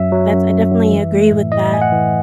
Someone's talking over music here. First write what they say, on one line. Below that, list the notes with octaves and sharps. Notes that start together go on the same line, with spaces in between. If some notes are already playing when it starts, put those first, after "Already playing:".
that's I definitely agree with that.
Already playing: F#2 F#3 E5
F#3
F#2
F#2
F#2
E3
A3
A2
A2 D#5
A3 G#5
F#5
E3